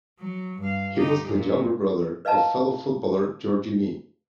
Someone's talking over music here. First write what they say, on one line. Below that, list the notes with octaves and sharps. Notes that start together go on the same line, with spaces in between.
He was the younger brother of fellow footballer Georgie Mee.
F#3
G2 F5
D#4 G4
F#2 A#2
B4 D#5 F5 A5 A#5